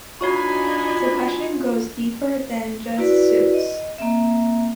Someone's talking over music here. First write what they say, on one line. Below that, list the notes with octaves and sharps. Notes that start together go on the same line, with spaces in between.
The question goes deeper than just suits.
D4 D#4 F4 F#4 C#5 G#5 B5 C#6
E4 F#4 B4 D5
D#5
A#3 C4 E5